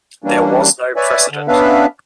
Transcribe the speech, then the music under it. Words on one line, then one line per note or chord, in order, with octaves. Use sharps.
There was no precedent.
E3 G3 A#3 C#4 D4
B4 C#5 D5 E5 G#5
D3
B3 C#4 D4 B4 E5 F5